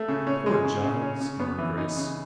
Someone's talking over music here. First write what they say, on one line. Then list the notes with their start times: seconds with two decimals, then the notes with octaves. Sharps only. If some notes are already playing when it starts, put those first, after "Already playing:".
"Poor Giles!" murmured Grace.
Already playing: A3
0.08 C#3
0.27 C#4
0.46 G#3
0.65 C#3
0.83 C#3
1.02 C#4
1.20 C#3
1.40 B3
1.58 E3
1.77 D#4
1.96 C#3